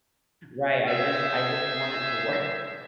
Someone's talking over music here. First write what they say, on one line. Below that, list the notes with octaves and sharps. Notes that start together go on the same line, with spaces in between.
Right, I just I just want it to work,
G#3 G#4 C5 E5